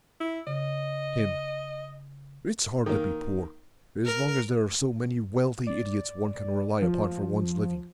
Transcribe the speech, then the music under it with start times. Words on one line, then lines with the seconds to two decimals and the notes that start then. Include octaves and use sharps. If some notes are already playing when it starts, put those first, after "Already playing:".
HIM: It's hard to be poor, as long as there are so many wealthy idiots one can rely upon for one's living.
0.20 E4
0.47 C#3 D#5
2.86 D#3 A#3
4.06 A#4
5.67 D5
6.82 F3